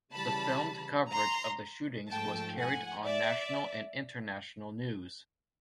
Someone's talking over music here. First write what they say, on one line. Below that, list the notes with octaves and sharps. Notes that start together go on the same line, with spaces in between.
The filmed coverage of the shootings was carried on national and international news.
C#3 E3 G3 A5 B5
A#5 C6
G#2 F3 A3 G5 A5
F#5 G#5
D5 E5